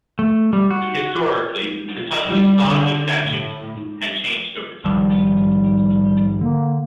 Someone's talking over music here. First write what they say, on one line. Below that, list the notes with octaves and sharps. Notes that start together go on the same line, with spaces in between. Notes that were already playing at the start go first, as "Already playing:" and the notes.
Historically, Kentucky's sodomy statutes had changed over time.
A3
G3
F#4
G3
D3
A2
A#1 G#2 D#3 F3 G3
D3 A#3